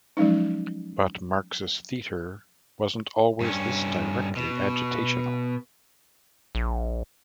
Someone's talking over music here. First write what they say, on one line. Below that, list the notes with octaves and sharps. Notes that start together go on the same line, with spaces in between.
But Marxist theatre wasn't always this directly agitational.
F3 F#3 G#3 C#4 D#4
G2 C#4
B2
A#1